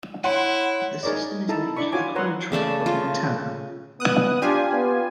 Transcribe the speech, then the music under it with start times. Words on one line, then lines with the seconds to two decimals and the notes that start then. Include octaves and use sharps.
The system is named for the Crow Tribe of Montana.
0.24 E4 C#5 F#5 C6
1.03 D#4 G#4 A#4 C#5 D5
1.48 D#4 E4 A4 A5 A#5
1.77 D4 E4 D5 B5 C#6
1.92 F4 F#4 C#5 G#5 D6
2.15 B4 C#5 F#5 A#5 C6
2.52 C#3 A3 D5 A5
2.86 F4
4.00 B3 D#6 F#6
4.42 D4 F4 G4 G#5
4.73 B3